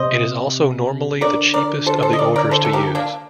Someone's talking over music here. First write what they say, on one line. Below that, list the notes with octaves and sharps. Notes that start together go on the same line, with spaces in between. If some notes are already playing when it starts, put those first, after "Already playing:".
It is also normally the cheapest of the orders to use.
Already playing: C3 C5 D#5
D3 A#4 D5
A#4 D5
A4 C5
A4 C5
D#5
A#4 D5
A#4 D5
A4 C5
A4
G4 A#4
A#3 D4